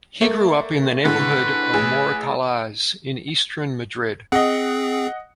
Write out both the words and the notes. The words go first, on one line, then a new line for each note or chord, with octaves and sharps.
He grew up in the neighborhood of Moratalaz in eastern Madrid.
A3 A#3
A2 D3 G#3 B4
A1 G#4
C4 G#4 D#5 F#5